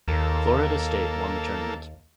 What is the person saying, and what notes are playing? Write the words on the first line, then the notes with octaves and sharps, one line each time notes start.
Florida State won the tournament.
D#2 A#3 A4